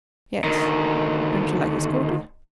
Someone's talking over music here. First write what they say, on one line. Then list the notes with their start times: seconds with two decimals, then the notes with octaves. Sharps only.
"Yes; don't you like this quarter?"
0.44 D2 D#3